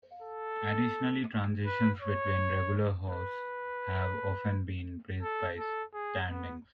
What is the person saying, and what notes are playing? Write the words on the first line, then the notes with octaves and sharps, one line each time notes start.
Addotionally, transitions between regular hosts have often been bridged by stand-ins.
A4
B4
C#5
B4
A4
A4
G#4
B3